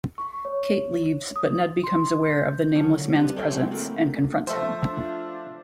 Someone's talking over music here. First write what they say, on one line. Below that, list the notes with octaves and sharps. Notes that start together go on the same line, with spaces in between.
Kate leaves, but Ned becomes aware of the nameless man's presence and confronts him.
C#6
C#5
D#6
C6
G6
D3 F#3 C#4
G3 B3 C4 D4
G4 A4 C5 C#5 E5 G5
C#3 F#3 G#3 A3 C4 C#4
A3 A#3 C4 E4 F#4 A4
F3 A3 C5 E5
D4 F4